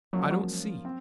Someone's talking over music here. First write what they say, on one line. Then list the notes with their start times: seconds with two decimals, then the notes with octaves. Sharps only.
I don't see.
0.13 F3 F#3 A#3 C#4 F4
0.22 G#3
0.31 F#3
0.85 C4